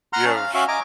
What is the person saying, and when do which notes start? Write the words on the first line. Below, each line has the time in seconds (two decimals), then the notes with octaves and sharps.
do you have
0.13 F#5 A#5 C6 F6
0.25 C#4 A5
0.36 F5
0.54 C#4 F#4 E5 F5
0.68 D#5 G#5 A#5 D6